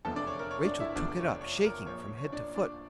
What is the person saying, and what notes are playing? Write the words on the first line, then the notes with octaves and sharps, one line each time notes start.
Rachael took it up, shaking from head to foot.
F1 E2 D3 F3 A4 A5
D4 D5
C#5
A#4
C#5
D4 D5
E4 E5
F1 E2 D3 F3 D4 D5
C#5
C#5
A#4
A#1 A#2 F3 C#5
C#5
C#5
D4 D5
D4 D5